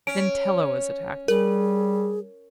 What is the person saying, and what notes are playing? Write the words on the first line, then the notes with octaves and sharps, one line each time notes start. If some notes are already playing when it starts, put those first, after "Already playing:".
Then Tela was attacked.
C#4 D7
G3 G#4 A#4